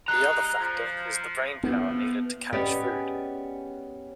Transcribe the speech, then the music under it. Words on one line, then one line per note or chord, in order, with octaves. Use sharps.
The other factor is the brain power needed to catch food.
G3 G#3 D#4 A#5 F#6
F3
A2 F3 B3
B3 C#4 G4 G#4 D5 D#5